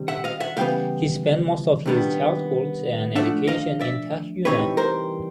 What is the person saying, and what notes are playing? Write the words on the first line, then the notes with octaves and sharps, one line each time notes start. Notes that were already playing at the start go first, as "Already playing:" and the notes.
He spent most of his childhood and education in Tahuna.
Already playing: C3 D#3 G3
E5 F#5
D#5 F5
E5 F#5
C#3 E3 G3 B3 F5 G5
C3 D#3 G3 B3 D4
F3 A3 D4 E5 F#5
D#5 F5
D5 E5
C3 E3 G3 C4 D#4 B4 C#5
A#4 C5